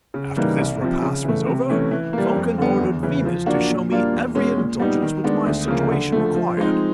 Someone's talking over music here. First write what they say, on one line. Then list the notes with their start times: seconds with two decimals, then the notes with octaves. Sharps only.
After this repast was over Vulcan ordered Venus to show me every indulgence which my situation required.
0.14 C#3
0.36 E3 G3 A#3 D#4
0.58 C2
0.81 C3 F3
1.02 C#3
1.24 E3 A3
1.46 C3
1.70 E3 A3 C#4
1.91 E3
2.13 G3 A#3
2.36 F2
2.58 D3 G3 B3
2.80 E2
3.03 C#3 E3
3.25 F3
3.46 A#3 D4 F#4
3.68 A#2
3.91 G3 A#3 D4 F4
4.13 E2
4.35 B2 G#3 C#4
4.57 A#2
4.79 G3 B3 D#4
5.02 D#3
5.24 G#3 B3 D4
5.46 D2
5.68 C#3 F3 A#3
5.91 D3
6.12 F3 A3
6.35 F3
6.57 G#3 C4 D#4